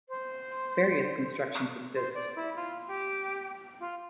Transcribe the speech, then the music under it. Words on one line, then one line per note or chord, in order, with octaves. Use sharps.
Various constructions exist.
C5
C5
D5
E4
F4
G4
F4